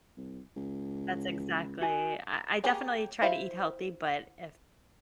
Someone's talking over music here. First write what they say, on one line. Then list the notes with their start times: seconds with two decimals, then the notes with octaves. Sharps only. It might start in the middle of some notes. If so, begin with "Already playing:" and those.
That's exactly I I definitely try to eat healthy, but if
0.17 C2
0.57 C#2
1.82 F#4 G#5
2.64 A#3 G4 G#4 C#5 G#5
3.22 E4 C5 E5 F5